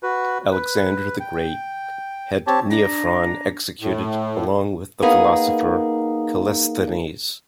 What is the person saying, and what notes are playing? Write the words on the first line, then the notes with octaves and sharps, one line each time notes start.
Alexander the Great had Neophron executed along with the philosopher Callisthenes.
F#4 B4
B4
G5
C4 G4 C#5 A5
D4 A#5
A2
A#3 B3 D#4 G#4 A#4